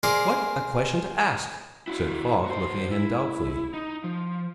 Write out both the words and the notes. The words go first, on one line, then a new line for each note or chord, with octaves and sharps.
"What a question to ask," said Falk, looking at him doubtfully.
G#4 A#4 C5 D5
E4 F#4
F#4 C5
E4
D#4
F3